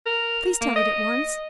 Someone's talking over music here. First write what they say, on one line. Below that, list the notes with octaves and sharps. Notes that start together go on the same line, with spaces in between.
'Please tell it at once.
A#4
A#3
D#5